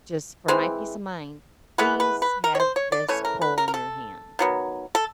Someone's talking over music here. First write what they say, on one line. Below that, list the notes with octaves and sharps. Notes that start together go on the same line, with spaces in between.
just for my peace of mind, please have this pole in your hand."
E3 G#3 C4
E3 G#3 B3 B4
B4
B4
A#4
C#5
C5
C#5
D5
E3 A3 C#4 C#5
A#4
B4
A#4
A#4
A4
D#3 F#3 B3
A4